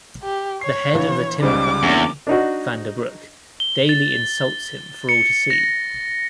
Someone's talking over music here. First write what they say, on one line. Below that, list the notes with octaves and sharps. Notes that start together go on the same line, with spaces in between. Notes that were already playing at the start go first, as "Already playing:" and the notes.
The head of the timber company, Vanderbrouck, daily insults him for all to see.
G4
C#5 C7
A#1 E3
C#2 C#3 G3 C#4 D#4 C5 D6
E2 A#3 C#4 D4
D4 D#4 F#4
G7
A6
C#7
A#6